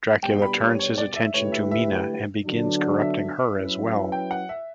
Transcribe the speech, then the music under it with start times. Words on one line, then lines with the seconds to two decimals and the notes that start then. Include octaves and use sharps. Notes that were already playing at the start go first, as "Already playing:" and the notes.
Dracula turns his attention to Mina and begins corrupting her as well.
0.23 B2 G3 B3 D4 G4 G5
0.42 B5
0.60 C#5
0.79 C#5
0.98 D5
1.16 E5
1.34 D3 A3 E4 G4 B4 C#5
1.52 E5
1.71 E5
2.45 D3 F#3 B3 D4
3.01 E5
3.56 F#3 C#4 E4 B4
4.12 G5
4.31 F#5
4.49 E5